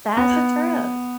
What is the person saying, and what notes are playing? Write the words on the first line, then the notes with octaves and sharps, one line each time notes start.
That's a trip.
B3